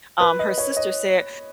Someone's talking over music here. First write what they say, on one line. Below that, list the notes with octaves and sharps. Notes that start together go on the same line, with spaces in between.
um, her sister said,
B4
D#5
C#5
D#5